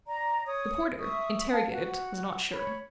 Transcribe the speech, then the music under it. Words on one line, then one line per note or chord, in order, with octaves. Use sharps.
The porter, interrogated, was not sure.
D5 A#5
C#5 D#6
E5 C#6 D#6
F5 A5
F#4 F#5
C#5 B5